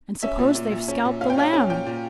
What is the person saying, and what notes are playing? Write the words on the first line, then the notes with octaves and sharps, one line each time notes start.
And suppose they scalped the Lamb!'
C#4 E5
A#2
A#2
A#2
C#4
A#2
C#4 F5
G5
C#4 F5
C#4
A#2 G5
A#2